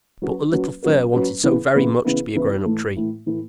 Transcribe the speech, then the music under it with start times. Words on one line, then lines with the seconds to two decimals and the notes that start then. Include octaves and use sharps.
But the little Fir wanted so very much to be a grown-up tree.
0.22 F#3 C#4 F#4 B4
0.52 F#3 C#4 F#4 B4
0.83 F#3 C#4 F#4 B4
1.13 F#3 C#4 F#4 B4
1.44 C#3 E3 B3 E4 B4
1.74 C#3 E3 B3 E4 B4
2.05 C#3 E3 B3 E4 B4
2.35 C#3 E3 B3 E4 B4
2.65 A2 E3 A3 E4
2.96 A2 E3 A3 E4
3.26 A2 E3 A3 E4